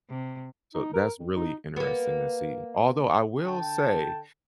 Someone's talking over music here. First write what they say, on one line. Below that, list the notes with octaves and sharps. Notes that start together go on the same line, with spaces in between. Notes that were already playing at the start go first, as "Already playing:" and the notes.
So that's really interesting to see. Although I will say
C3
D#4
A#4
F2
D#4
A#3 B3
D3 G5 A5